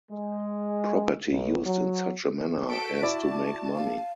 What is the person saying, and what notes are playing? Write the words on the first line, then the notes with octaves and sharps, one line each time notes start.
Property used in such a manner as to make money.
G#3
B1
F#3
F#4 A4 B6 D7
E4 D5 A5
F5